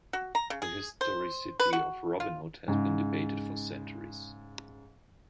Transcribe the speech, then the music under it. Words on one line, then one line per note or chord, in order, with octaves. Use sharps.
The historicity of Robin Hood has been debated for centuries.
F#4
A#5
C#3
G#4
C5
B4
F#4
F4
G#2 C#3